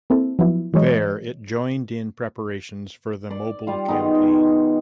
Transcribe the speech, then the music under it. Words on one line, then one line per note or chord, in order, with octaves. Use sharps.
There it joined in preparations for the Mobile Campaign.
A#3 C4 E4 A4
F3 F#3 B3 E4
E3 F#3 G#3 C#5 D#5
D5
G3 F4
D#3 G#3 B3 D#4